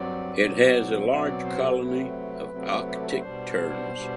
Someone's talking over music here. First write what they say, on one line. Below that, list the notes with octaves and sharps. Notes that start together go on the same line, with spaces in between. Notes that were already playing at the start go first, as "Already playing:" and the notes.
It has a large colony of Arctic terns.
Already playing: G2 F#3 C4 D5
B2 F#3 C4
B2 F#3 C4 E5
D5
C5
A4
C3 F#3 A3 C4 B4
C3 F#3 A3 C4
G4
A4
B4
B2 G3 D4 C5
B2 G3 D4